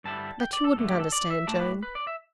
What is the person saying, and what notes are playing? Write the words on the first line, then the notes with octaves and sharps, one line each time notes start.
But you wouldn't understand, Joan.
G2 D3 G3 E4 A5
G5
D5
A4
G2 D3 A3
G4
A4
D5
E5
A2 A3 D4 A5
B4
B4
D5
E5